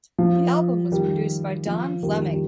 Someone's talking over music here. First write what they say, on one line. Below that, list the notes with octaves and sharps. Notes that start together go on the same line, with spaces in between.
The album was produced by Don Fleming.
F3
D#3 G3
F3
D#3 G3
G3